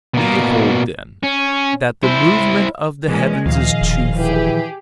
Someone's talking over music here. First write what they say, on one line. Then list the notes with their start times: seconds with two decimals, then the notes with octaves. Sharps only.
We hold, then, that the movement of the heavens is twofold.
0.14 B2 A#3
1.23 C#4
2.04 E4 C5
3.08 A#2 E3 G#3 C#4
3.46 D2 A#2 D#3 F3 G#4 D#5 F5
3.81 E1
4.17 E3 G4 G#4